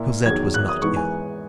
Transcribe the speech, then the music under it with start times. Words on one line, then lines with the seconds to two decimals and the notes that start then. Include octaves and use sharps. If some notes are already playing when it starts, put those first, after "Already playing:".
Cosette was not ill.
Already playing: A#2 A#3 E4
0.26 E2 D#3 F#3 G#6
0.54 F#6
0.68 D#6
0.82 G#2 E3 B3 D#4 C#6
0.96 G#5